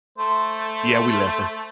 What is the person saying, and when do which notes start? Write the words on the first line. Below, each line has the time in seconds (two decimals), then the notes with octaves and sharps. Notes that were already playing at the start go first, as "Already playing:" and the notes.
Yeah, we left her.
0.18 A3 C5